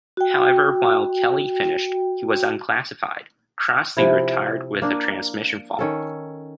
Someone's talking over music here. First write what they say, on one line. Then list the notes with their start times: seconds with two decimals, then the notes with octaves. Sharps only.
However, while Kelly finished, he was unclassified; Crossley retired with a transmission fault.
0.17 F#4 G5
3.97 C3 F3 E4
4.82 A#3 D4
5.79 D#3 C#4 A4